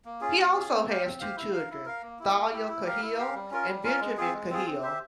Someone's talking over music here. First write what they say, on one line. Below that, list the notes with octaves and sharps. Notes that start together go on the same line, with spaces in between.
He also has two children, Tahlia Cahill and Benjamin Cahill.
A#3
C#4 F4 G#4
A#3
C#4 F4 G#4
C4
G4 C5 F5
C4
G4 C5 F5
E4
A#4 F5
E4
A#4 F5
A#3
E4 G4
A#3
E4 G4
E4
G4 A#4 F5
E4
G4 A#4 F5
G3
C#4 F4 A#4
G3
C#4 F4 A#4
G#3
C4 F4 G#4
G#3
C4 F4 G#4
C4
G4 C5 E5